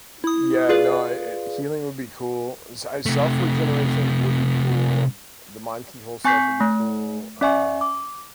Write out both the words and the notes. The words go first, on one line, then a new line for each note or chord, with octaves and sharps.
yeah, no, e healing would be cool, s I self regeneration would be cool, the mind control stuff would be cool, um,
E4 D#6
F4 G#4 B4 D5 F5
C3 A3
C4 G#5 C#6 G6 B6 C7
A3
C#4 D5 E5 G#5 C#6
D6